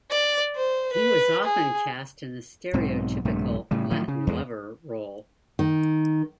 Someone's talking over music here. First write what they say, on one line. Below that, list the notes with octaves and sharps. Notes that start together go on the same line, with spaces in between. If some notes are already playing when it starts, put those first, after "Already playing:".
He was often cast in the stereotypical "Latin Lover" role.
D5
C5
B4
G#4
B1 G#2 B2 C4
A#1 G2 C3 A3
A2 C#3 G3
A2 D#3 F3 F#3
C#3
E2 G#3
D#3